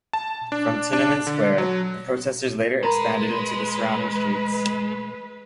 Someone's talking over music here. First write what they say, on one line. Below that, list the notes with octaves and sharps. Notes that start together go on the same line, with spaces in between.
From Tiananmen Square, the protesters later expanded into the surrounding streets.
A5
D4
D4
D3
F#3
G#3 A#4 B4 A#5 B5